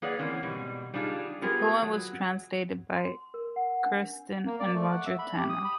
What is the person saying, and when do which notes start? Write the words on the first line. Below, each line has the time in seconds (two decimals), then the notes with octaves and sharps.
The poem was translated by Kerstin and Roger Tanner.
0.02 A#3 G#4 B4 C#5 D5 F#5
0.19 E3 A#3 C4 C#4
0.43 G#2 B2 G3
0.94 G3 D4 D#4 F4 F#4 G#4
1.42 B3 F4 G4 G#4 A#4
1.82 F#3
2.95 C6
3.34 A#4
3.56 F#5
3.86 D4
4.45 A#3
4.60 D5
4.74 A3
4.91 F#5
5.06 E5
5.19 B5
5.37 G4
5.49 D#6
5.65 B5